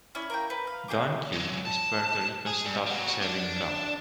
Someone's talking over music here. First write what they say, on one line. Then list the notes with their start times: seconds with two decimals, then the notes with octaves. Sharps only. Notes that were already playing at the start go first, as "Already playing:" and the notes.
Don Q is Puerto Rico's top-selling rum.
0.15 C#4 E4 D5
0.30 A#4 F5 G5
0.50 B4
0.67 F5
0.88 D#4 G#4 G5 D6
1.32 F#3 G#3
1.65 A5
2.47 G#4
2.65 G2
2.87 G3 F#4
3.22 D4